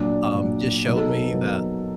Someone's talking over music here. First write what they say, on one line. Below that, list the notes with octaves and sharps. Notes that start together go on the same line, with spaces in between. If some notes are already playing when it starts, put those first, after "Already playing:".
Um, just showed me that,
Already playing: A#2 F#3 D4
A#2 F#3
B2 F#3 D#4
A4
A#4
B4
B2 F#3